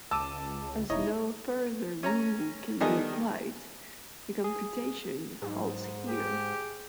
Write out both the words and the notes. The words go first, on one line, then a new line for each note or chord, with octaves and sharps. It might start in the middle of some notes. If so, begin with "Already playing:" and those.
As no further rule can be applied, the computation halts here.
C#2 A5 D6 E6 D#7
E1 D#4 E4 C#5 D#5
C#4 C#5 A#5
D#3 G3 B3 A4 D#5 G#5
G#4
G#2 F#3
G4 G#4